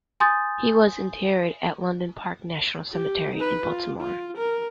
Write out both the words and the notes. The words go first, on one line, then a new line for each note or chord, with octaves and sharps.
He was interred at Loudon Park National Cemetery in Baltimore.
G#5 C6 D#6 G6 A6
G4
D#4 B4
F4
F4
A#4